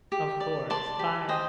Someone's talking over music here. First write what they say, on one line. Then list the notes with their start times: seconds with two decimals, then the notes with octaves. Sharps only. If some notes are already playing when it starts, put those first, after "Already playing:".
Of course. Bye.
0.12 G4
0.40 D5
0.70 D5 A5 C6
0.99 G4
1.28 C5 D#5 G5